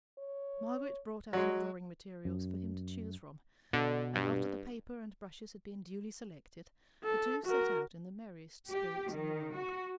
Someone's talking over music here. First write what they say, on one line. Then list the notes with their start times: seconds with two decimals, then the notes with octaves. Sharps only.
Margaret brought out her drawing materials for him to choose from; and after the paper and brushes had been duly selected, the two set out in the merriest spirits in the world.
0.18 C#5
1.33 F#3 G#3 F#4
2.25 F#2
3.73 B2 D3
4.15 G2
7.04 A4
7.46 F#4 A#4
8.69 G4
9.12 D#3
9.56 F#4